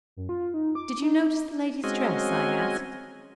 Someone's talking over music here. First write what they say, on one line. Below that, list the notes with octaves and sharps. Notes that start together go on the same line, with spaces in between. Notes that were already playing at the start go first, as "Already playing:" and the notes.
"Did you notice the lady's dress?" I asked.
F#2
F4
D#4
D6
D#4
G#3 C4 C#4 F#4 D#5 G#5